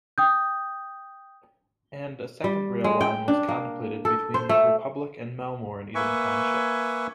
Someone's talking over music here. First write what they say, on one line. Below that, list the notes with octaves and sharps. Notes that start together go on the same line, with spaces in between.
And, a second rail line was contemplated between Republic and Melmore in Eden Township.
G5 D#6 G6
G3
G#3
G5
D4
A#3
A4
C5
A3
A#3 B4 E5 G#5 C#6